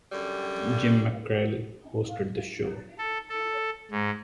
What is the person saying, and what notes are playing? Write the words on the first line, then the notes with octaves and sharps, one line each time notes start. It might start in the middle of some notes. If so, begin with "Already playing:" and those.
Jim McKrell hosted the show.
F#2 D3 G3
A4
A4
G#2